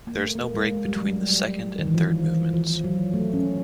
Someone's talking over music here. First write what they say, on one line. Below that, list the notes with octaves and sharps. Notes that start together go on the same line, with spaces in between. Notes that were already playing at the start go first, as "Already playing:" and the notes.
There is no break between the second and third movements.
A#3
A3
A#3
G#3
G#3
G3
F#3
G3
D#3
E3
F3
E3
F3
F#3
A3
C#4